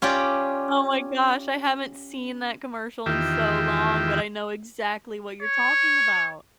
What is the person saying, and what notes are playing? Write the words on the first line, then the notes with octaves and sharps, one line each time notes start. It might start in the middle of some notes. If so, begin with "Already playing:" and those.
Oh my gosh! I haven't seen that commercial in so long, but I know exactly what you're talking about.
C#4 F4 G4 D5
E2 D#3 F4 G4 E5 G5
C#5